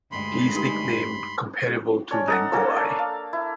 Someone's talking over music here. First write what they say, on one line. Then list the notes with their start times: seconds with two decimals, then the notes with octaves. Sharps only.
He is nicknamed "Comparable to Rengui".
0.12 D2 G2 G#3 B5 C6
0.55 D#4 G4
2.11 C#4 D4 C#5
2.28 D#4 A4 F#5
2.53 A#3 C#4 A4
2.77 D4
2.99 F5
3.33 E4